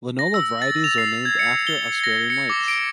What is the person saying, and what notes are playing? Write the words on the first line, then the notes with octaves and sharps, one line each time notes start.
Linola varieties are named after Australian lakes.
A#6
E6
A6
F7
C7
G#6
C#7
G7
A#6
C#7
D6
D7